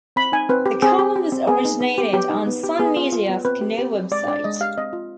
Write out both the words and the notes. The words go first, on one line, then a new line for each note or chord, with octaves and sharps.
The column was originated on Sun Media's Canoe website.
C4 B5
D#4 G#5
C4 B4
G4
C4 G#4
G4
G4
C4
B3 G#4
D#4
B3
G4
B3 G4
D#4
B3
G4
B3 G#4
F4
F4
B3
C4 B4
G4
G4
C4
G#3 D5
D4 D5
G#3 D#5
G4 F5
C4 D#5
F4